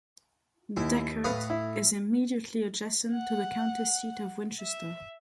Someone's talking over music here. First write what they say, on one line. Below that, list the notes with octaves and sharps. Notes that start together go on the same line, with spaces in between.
Decherd is immediately adjacent to the county seat of Winchester.
D#2 E4
A2 B4 F5 D#6
E4
F#5
E5